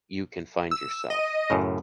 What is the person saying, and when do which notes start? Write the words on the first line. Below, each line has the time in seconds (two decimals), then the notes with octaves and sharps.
You can find yourself.
0.71 E6
1.10 D#5
1.50 F#2 A2 C#3